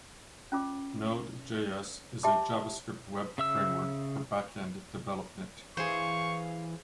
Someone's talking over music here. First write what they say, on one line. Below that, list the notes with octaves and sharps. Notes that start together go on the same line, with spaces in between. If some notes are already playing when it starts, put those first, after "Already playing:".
Node.js is a JavaScript web framework for backend development.
C#4 F4 D6
G4 E5 A5 C6 D6
C#3 E5 E6
E3 G#4 C5 F5 C#6